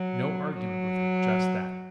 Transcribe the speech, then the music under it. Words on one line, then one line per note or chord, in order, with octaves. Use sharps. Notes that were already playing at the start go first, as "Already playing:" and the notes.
No argument with her--just that.
Already playing: F#3
F#3